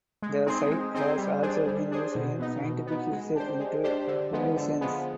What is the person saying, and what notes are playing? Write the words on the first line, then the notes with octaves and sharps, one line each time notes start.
The site has also been used in scientific research into illusions.
G#3
C4 D#4 G#4 C5
G#3
C4 D#4 G#4 C5
G3
D4 G#4 C5
G3
D4 G#4 C5
B2
B3 D#4
B2
B3 D#4
G#3
D4 G4 C5
G#3
D4 G4 C5
D3
F3 G#3 B3
D3
F3 G#3 B3